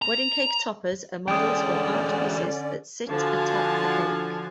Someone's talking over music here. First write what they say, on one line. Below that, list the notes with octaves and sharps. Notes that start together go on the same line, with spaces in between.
Wedding cake toppers are models or art pieces that sit atop the cake.
A#5
E2 D3 G#3 C#4 D5 G5 D#6
D3 F3 F#4 F5 G#5 A5